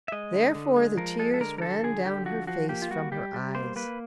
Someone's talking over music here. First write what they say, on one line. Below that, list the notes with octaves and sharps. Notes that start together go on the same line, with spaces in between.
Therefore the tears ran down her face from her eyes.
E5
G#3 D#5
D3
D3
G#3
F3 A#4
G#3 A4
A4
D3 A#4
A#4
F3 A4
D3 G#4
D3 G4
F3 F#4
F3 F#4
A#3 G4
F4
G3 F#4
G3 G4
G3
A#3 C5
A#3 B4